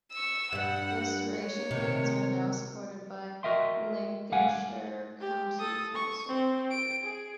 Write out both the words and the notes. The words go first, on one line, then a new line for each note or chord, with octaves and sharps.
Restoration plans are now supported by Lincolnshire County Council.
C#6 E6
G2 G3 F#5
C#5
C3 D#3
F#4 A#4 D#5 E5 G5 C6
G3 F5 F#5 G#5
G4
A4 D#6
C#6
C4
D7
G#4